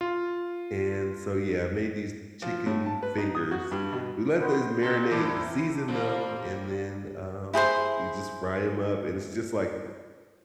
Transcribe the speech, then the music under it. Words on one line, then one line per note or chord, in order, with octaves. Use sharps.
and so, yeah, made these chicken fingers. We let those marinate, you season them, and then, um, you just fry 'em up and it's just like re
F4
F3
A2
A5
B4
D#4
D#6
F#4
G2
B2
B3 C5 D#5
A#2 C4 A4 A#4
E3 D4 E4
F3 G3 A#3
E4 G#4 C5 C6